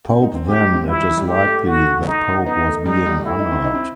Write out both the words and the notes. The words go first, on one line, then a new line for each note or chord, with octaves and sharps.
Pope then it is likely that Pope was being honoured.
C4
D#4
C4
G4
D#4
C4
G3 E4
E3
E3
G3
A3 G4
A3
F#4
D#4
B3 D#4
A3
G3 D#4
G3
A3 E4
D#4
C4
D#4
C4